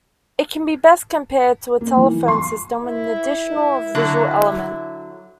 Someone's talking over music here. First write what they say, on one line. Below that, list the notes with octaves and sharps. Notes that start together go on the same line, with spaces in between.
It can be best compared to a telephone system with an additional visual element.
A#3
E3
C6
E4
D3 F#3